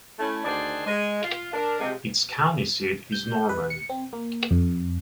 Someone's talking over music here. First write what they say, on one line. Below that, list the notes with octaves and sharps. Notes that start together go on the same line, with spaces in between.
Its county seat is Norman.
A3 C#4 E4
D2 D#3 D4 G#4 C5 D5
G#3
F4
D4 A#4
C3 F3 G#3
G6
B4
C#7
C4
A#3
F2